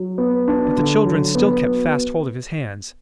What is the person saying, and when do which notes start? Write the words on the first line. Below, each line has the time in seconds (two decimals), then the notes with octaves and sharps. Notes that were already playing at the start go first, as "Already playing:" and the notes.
But the children still kept fast hold of his hands.
Already playing: F#3
0.18 B3
0.48 D4
0.77 D3
1.06 F#3
1.35 B3